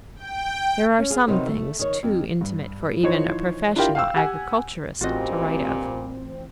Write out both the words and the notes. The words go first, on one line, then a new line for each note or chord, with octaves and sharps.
There are some things too intimate for even a professional agriculturist to write of.
G5
C#4
G#4 F5
C3 D#3 F#3 B3 D#4 C5
A3
D#3 C#5
F2
G2
E3 F3 D#4 C5 C#5
D4 E4 F4 G4 A#4 G5
F5 G5 E6
G4 F#5 G#5
A1 G2 A#2 G3 C4 F4 F#4 D#5